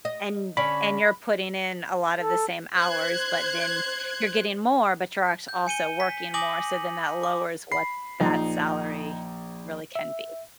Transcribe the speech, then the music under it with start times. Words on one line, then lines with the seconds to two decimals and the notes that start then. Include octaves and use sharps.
And- and you're putting in a lot of the same hours, but then you're getting more, but you're actua also working more, so then that lowers what that salary really can be.
0.05 D#5
0.57 D3 C#4 D5 B5
2.19 A4
2.76 C5 F#6 G#6
5.49 G6
5.67 G#5 C#7 D#7 G7
6.00 B6
6.34 G#5 D6 D#6 A#6 F#7
7.23 D6
7.72 B5 C7
8.21 A#1 F3 D#4 A#5
9.95 E5